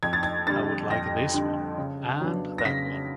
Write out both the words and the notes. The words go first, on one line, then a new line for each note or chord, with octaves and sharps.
I would like this one and that one.
F2 G#6
A6
G#6
D3 G3 A6
F2 A#6
D3 G3
C#3
F#3 B3 D4
A#6
C#3 B6